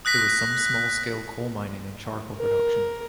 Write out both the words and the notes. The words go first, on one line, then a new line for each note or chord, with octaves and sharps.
There was some small scale coal mining and charcoal production.
D#6 F#6 A#6 B6
A#4